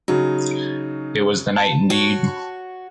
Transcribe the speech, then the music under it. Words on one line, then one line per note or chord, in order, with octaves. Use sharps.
It was the night indeed.
C#3 F#3 D#4
A5
F#4 C#5